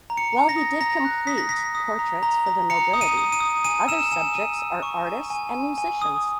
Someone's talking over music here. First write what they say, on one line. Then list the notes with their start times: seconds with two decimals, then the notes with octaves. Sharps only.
While he did complete portraits for the nobility, other subjects are artists and musicians.
0.10 A#5
0.17 C#7
0.33 A#5
0.49 A#6
0.56 D#6
0.81 A#5 A#6
1.05 F#6
1.27 D#6 B6
1.38 A#6
1.49 D#6 B6
1.75 D#6
1.99 A#5
2.23 A#5
2.46 A#5
2.70 A#5 C#7
2.93 D#6
3.01 D#7
3.17 D#6
3.32 D#7
3.41 D#6
3.64 G#5 D#7
3.88 E6 E7
4.11 G#5 E7
4.35 E6 D#7
4.59 E6
4.83 C#6
5.07 G#5
5.30 G#5
5.55 G#5
5.78 G#5
6.02 D#6